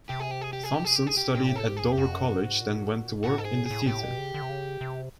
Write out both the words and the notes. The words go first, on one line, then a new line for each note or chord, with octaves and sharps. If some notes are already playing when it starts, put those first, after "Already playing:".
Thompson studied at Dover College then went to work in the theatre.
C3 G4
G#4
G4
G#4
G4
G#4
G4
G#4
G4
G#4
G4
A#2 G4
A2
A4
G#2 G4
G#4
E2
G4
F2 F#4
F#2
G2
G#2
A#2
A2 F#4
G#2 A4
G#4
A2
A2 G#4
A2 G4
B2
C#3
D3
C3
C#3
C3